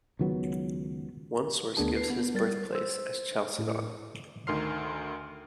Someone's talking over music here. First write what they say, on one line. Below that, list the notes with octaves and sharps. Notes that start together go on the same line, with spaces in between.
One source gives his birthplace as Chalcedon.
C#2 D#3 F#3 B3
D2 B3 D4 G#4 A#4 A5
B4 C7
B3
G3 A#4 A6
C5 E6
A2
D2 D#3 C6 F6 C7